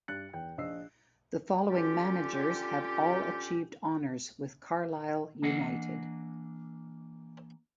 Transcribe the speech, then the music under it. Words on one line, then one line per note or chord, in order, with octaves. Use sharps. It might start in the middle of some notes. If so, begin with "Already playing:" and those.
The following managers have all achieved honours with Carlisle United.
G2 D4 F#6 A6 C#7
E2 G5
A#1 D#5 E6 C7
D3 C#4 F4 G4
E3 A#3 D4 D#5 F#5